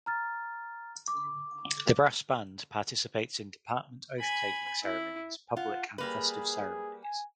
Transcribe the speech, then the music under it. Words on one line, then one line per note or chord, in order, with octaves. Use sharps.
The brass band participates in department oath taking ceremonies public and festive ceremonies.
A#5 F6 A6
D6
G#5 B5
E4
F4 F#5
G3 A#3 G#4 B4
G#5